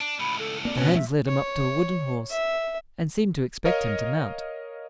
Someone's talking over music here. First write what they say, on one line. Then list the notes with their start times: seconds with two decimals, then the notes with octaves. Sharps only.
The hands led him up to a wooden horse, and seemed to expect him to mount.
0.01 D4
0.20 C#2 A2 B5
0.39 A4
0.65 A#3 C4 D5
0.78 B2 C#4 B4
0.94 F3 A3 E5
1.28 C#5
2.30 E5
3.65 A#4 C#5 D#5 F5